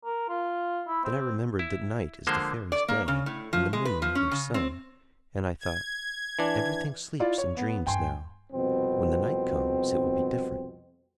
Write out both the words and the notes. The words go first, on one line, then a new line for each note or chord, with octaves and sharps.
Then I remembered that night is the fairies' day, and the moon their sun; and I thought--Everything sleeps and dreams now: when the night comes, it will be different.
A#4
F4
E4
C4
E4
D3 F3 G#3 A#3 C5
D5
A#3
C#3
A2
F3
G#3
B4
F3
C#4
C#3
C4
G#6
E3 D4
E4 F4 D5
C#5
B3
G2 G5 G#5 C6
C2 F2 B2 C4